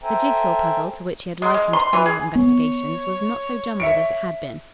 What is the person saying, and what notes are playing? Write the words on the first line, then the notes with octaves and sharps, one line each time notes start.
The jig-saw puzzle to which he had likened criminal investigations was not so jumbled as it had been.
A4 C5 E5 G5 G#5 A#5
G#3
G#3
C6
E3
G#4
B3 C#5
E5 C#7 D7